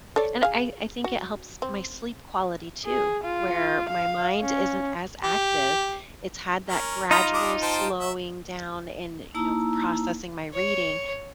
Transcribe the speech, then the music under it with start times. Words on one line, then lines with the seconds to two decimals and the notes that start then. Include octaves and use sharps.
and I I think it helps my sleep quality too, where my mind isn't as active, it's had that gradual slowing down and, you know, processing my reading,
0.16 A4 C#5 D5
0.43 G#4 F5
1.04 F#4
1.62 C4
2.85 G#4
3.24 F4
3.89 F5
4.41 C#4
5.23 G4
6.69 C#4 A#4
7.11 D#4 F4 A#5 B5 D#6
7.34 D4 D6 D#6
7.62 C5 G5 A5
8.01 E5
9.35 A#3 D#4 E4 A5 A#5 E6
10.53 C#5